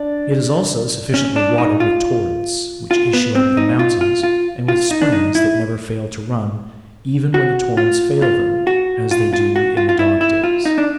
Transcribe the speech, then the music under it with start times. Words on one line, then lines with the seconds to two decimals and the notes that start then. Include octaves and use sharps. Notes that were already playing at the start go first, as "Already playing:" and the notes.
It is also sufficiently watered with torrents, which issue out of the mountains, and with springs that never fail to run, even when the torrents fail them, as they do in the dog-days.
Already playing: D4
1.14 C#4
1.36 D4
1.58 D#4
1.80 F4
2.91 F4
3.13 B3
3.35 C4
3.57 D#4
3.79 F4
4.01 F4
4.23 F4
4.68 F4
4.91 D#4
5.02 D4
5.12 D#4
5.35 E4
7.34 F#4
7.77 F4
8.22 F4
8.67 F#4
9.11 F4
9.33 F4
9.56 F#4
9.77 F4
9.89 F4
9.99 E4
10.21 E4
10.44 F4
10.65 D#4
10.78 D4